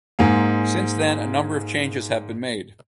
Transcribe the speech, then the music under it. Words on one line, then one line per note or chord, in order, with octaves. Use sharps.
Since then, a number of changes have been made.
G#2 G#3 A#3